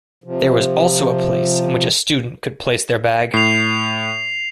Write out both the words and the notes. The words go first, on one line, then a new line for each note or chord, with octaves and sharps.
There was also a place in which a student could place their bag.
C3 F3
A2 C7 F7